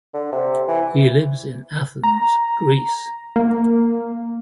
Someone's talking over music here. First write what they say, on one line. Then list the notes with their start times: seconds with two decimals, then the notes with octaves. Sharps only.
He lives in Athens, Greece.
0.14 D3
0.32 C3
0.68 E3
2.04 A#5
3.36 A#3